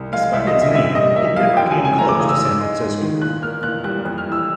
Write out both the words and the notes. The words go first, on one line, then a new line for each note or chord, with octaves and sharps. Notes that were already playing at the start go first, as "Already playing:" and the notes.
Despite its name, it never came close to San Francisco.
Already playing: C2
G#3 F5
C2 E5
D#5
B2
E5
C2 E5
G3 D#5
A#3 E5
B2 F5
F#2 G5
G#5
F#3
G#5
A3 A#5
D6
C#3 D#6
E6
G#2
G#3
G#2
D#3
A#2 F#6
A#3 F6
A#2 F#6
G3 F#6
F2
F6
E3
E6